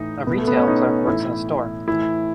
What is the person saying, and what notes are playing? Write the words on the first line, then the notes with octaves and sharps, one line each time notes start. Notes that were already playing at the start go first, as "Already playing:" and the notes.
A retail clerk works in a store.
Already playing: A2 E3 D#4
B2 B3
A3
B3
C#4
D#4
A2 E3 E4
A2 E3 E4